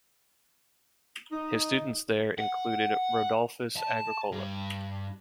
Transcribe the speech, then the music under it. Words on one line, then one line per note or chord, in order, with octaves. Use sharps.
His students there included Rodolphus Agricola.
D#4
F#5
A5
G2